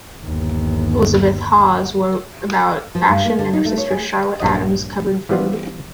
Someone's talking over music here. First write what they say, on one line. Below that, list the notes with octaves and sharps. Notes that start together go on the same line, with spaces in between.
Elizabeth Hawes wrote about fashion, and her sister Charlotte Adams covered food.
G1 D#2
F3
G2
A#3
D3
D#4
A3
C#5
G#4
A#1 G2 F#3 D#5
E3 F3 G3 B3 F4